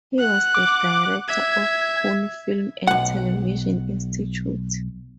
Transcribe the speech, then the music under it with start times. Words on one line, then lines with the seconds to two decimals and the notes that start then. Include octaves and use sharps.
He was the director of Pune Film and Television Institute.
0.19 F#5 F#6
0.54 D6
1.28 E5 G#6
2.87 B1 F#5